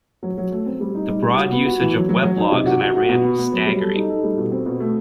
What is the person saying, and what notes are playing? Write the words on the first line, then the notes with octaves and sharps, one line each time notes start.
The broad usage of weblogs in Iran was staggering.
F#3
F#3
A3
C4
G3
D#4
G3
G3
F#4
B3
F#4
E3
F#3
F#3
F#3
D#4
C3
F#4
F#4
F#4
B2
B3
B3
F#3
G3
A4
D#4
A4
G3
B2
C4
B2
A3